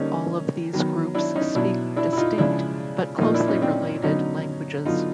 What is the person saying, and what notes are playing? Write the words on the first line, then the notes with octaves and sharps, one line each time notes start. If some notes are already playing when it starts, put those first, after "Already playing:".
All of these groups speak distinct, but closely related, languages.
Already playing: D3 G3 A#3 C#4 D#4
D#3 F#3 B3
D4 E4
C#4 D#4
B2 F#3 B3 D4 E4
D4 E4
E4
D#4 F4
C#3 F3 G#3 D4 E4
A#2 F3 A#3 D#4 F4
D4 E4
C#4 D#4
C4 D4
D3 F#3 B3 C#4 D#4
D3 F#3 B3 D#4 F4